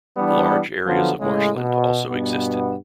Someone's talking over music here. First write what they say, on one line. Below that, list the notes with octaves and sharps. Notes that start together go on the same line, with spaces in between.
Large areas of marshland also existed.
E3 G3 B3 D4
D3 F3 F#3 B3
A2 C#3 G#3
B2
G2 B2 B3